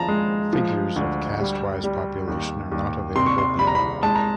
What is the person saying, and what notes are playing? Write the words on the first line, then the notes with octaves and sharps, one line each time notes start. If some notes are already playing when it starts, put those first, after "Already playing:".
Figures of caste-wise population are not available beyond.
Already playing: F3 A5 A#5
G#3
F3
D2
G3
G3
D#2
D#2
C3 C6
C#6
C6
C2 B5
A#5
B5
G#3 A5
A#5